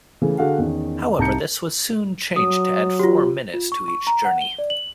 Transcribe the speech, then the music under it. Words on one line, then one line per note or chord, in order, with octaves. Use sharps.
However, this was soon changed to add four minutes to each journey.
C#3 E3 A3
D3 F#4 G#4 F5 F#5
E2 D#3 C#4
C2 D#4 A5 A#5 G6 C#7
F#3 D#6
F4 G4
F4
C#6
C#6
A#5
F#5
G7
D5
F#7